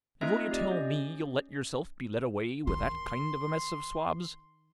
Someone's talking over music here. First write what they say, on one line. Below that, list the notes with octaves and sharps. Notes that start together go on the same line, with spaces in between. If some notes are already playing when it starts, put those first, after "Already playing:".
And will you tell me you'll let yourself be led away with that kind of a mess of swabs?
A3 C4 D#4 F4 D#5 E5
G4 D5 D#5
C#4
D#3 C6